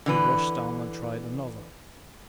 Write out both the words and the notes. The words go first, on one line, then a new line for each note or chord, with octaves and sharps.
He rushed on and tried another.
D3 E3 B4